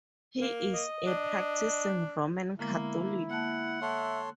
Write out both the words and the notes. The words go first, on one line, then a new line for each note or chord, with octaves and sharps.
He is a practicing Roman Catholic.
A#3
D#5
D4
D3 G#3 A#3 B3 E4
A#3 F#5 A5
A4 C#5 E5 C6